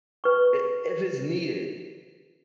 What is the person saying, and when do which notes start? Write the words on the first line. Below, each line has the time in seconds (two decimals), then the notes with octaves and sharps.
er, if it's needed.
0.24 B4 C#6